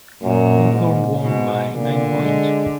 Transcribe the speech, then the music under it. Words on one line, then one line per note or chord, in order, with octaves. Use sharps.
Hawthorn won by nine points.
F#2 A#2
G#2
G#2 B2
A#2 D3
G#3